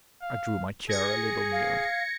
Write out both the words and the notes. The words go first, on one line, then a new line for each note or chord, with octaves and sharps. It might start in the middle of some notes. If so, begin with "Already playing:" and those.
I drew my chair a little nearer.
F5
G#4 G#6 A#6 C#7
F5